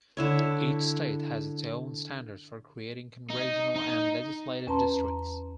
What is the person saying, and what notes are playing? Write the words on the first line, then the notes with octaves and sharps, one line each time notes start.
Each state has its own standards for creating Congressional and legislative districts.
D3 E4 C#5
D#4
D#4
E2 C#4 B4 A5 A#5 C6